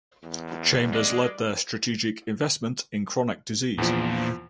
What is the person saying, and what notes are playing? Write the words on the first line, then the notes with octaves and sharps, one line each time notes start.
Chambers led their "Strategic Investment in Chronic Disease".
E2
G3 G#3 D5
E2 A#2 F3 D4